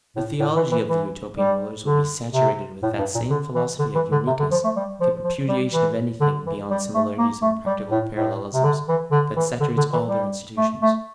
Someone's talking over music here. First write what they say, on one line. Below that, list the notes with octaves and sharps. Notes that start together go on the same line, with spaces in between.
The theology of the Utopian rulers will be saturated with that same philosophy of uniqueness, that repudiation of anything beyond similarities and practical parallelisms, that saturates all their institutions.
A2
A2
E3
E3
E3
G3
D3
C3
A2
G2
A#2
D3
E3
D3
E3
D3
C3
D3
F3
A3
G3
F3
F3
G3
E3
D3
E3
G3
A3
A#3
A3
G3
A2
A2
C3
D3
E3
D3
E3
D3
D3
E3
G3
A3
A3